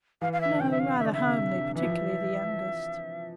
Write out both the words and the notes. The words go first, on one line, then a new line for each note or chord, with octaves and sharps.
'No, rather homely, particularly the youngest.'
E3 F5
F5
E5
D3
C3 G5
E5
F5
D3 E5
D5
D3 E5
C3
D3
E3 E5
F3
E3